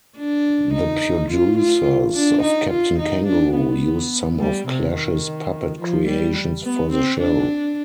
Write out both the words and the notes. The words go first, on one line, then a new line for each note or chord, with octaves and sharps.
The producers of "Captain Kangaroo" used some of Clash's puppet creations for the show.
D4
D#4
F4
F4
D4
D#4
F4
D#4
D4
B3
G3
C3
D#3
F3
G3
B3
C4
D4